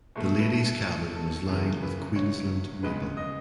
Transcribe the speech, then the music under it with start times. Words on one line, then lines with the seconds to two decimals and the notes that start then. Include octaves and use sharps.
The ladies cabin was lined with Queensland maple.
0.16 E2 B2 A3
0.39 B4
0.48 A4
1.16 A4
1.49 E2 C#3 E3 B3
1.82 B4
2.16 C#5
2.83 C#2 C#3 G#3 B3 B4
3.17 D#5